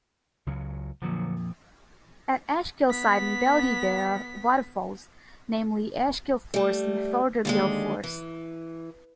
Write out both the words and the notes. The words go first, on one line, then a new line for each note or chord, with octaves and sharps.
At Ashgillside and Beldy there are waterfalls namely Ashgill Force and Thortergill Force.
C#2 C#3 F#3
F2 A#2 D3 F3 F#3
B3 B6
G3 A3
D#2 D3 G#3
E3